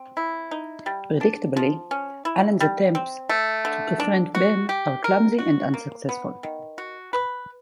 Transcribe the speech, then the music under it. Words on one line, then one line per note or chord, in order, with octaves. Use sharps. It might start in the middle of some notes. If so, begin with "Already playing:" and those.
Predictably, Alan's attempts to befriend Ben are clumsy and unsuccessful.
Already playing: C4
E4
D#4
G3
D4
F3
C#4
E4
G3
C4
A3
D3
D4
F#4
G4
A#4
F#4
A#3
B3
D#3
F#4
B4